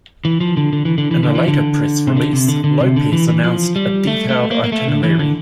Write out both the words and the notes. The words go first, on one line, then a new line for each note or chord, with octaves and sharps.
In a later press release, Lopez announced a detailed itinerary.
E3
F3
D3
D3
E3
D3
E3
D3
E3
D3
C3
D3
C3
D3
D3
C3
D3
E3
E3
F3
G3
A3
A3
A#3
A#3
A3
D3
E3
D3